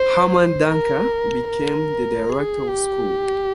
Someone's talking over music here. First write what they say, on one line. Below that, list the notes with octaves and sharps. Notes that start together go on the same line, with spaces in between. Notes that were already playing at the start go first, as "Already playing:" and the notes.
Hermann Duncker became the director of school.
Already playing: C5
C5
A#4
A#4
G#4
G4